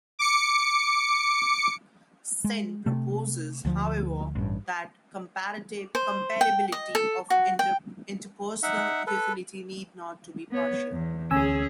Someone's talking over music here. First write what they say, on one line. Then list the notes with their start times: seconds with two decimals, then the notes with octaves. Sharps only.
Sen proposes, however, that comparability of interpersonal utility need not be partial.
0.19 D6 C#7
2.44 G#3
2.86 C3 A3
3.65 D2 F3
4.35 A1 G2
5.95 C5
6.41 G5
6.72 D#5
6.95 A4
7.30 F#4
7.59 G5
8.63 D#4 E5 F#5
9.07 A4 B4
10.51 B3 C#5
10.91 E2
11.31 D2 C#4 G#4 G#5 E6